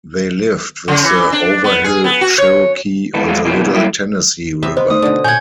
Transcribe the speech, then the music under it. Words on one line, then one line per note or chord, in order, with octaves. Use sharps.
They lived with the Overhill Cherokee on the Little Tennessee River.
C#3
E3
D4
B3
G#4
B3
F#4
C#5
D2 G#2 E3 B3 A4
G#3 A3 F4 F#4 G#4
B2 E3 A#3 B3 G4 G#4
G3 A#3 E4 A4 E5 G5
C3 B3 E5
B3 C5 D#5 C6
A3 D#4 D#6
B2 D3
A#2 C#5 F#5 G#5 G6 G#6